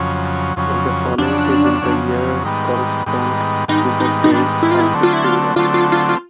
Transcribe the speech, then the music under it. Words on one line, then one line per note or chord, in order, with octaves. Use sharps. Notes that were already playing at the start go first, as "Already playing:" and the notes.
In the following table, the years correspond to the date of the ceremony.
Already playing: F2 C#3 F#3
F2 C#3 F#3
F2 C#3 F#3 D4
F2 C#3 F#3
G#2 D#3 G3 B3
G#2 D#3 G3 B3
G#2 D#3 G3 B3 D#4
D#4
D#4
G#2 D#3 G3 B3 D4
E4
F4
E4
D3 F#3 A3 C4
F4
E4
F4
D3 F#3 A3 C4 F4
F4
F4
F4